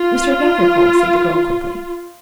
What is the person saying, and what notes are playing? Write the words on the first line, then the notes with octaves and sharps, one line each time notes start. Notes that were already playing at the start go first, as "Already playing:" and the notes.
"Mr. Gathercole," said the girl quickly.
Already playing: F4